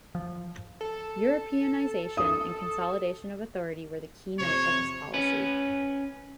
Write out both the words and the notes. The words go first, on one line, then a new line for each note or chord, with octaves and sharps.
Europeanization and consolidation of authority were the keynote of his policy.
F3
A4
D#6
F2 C3 C5 C#5
C#4 B4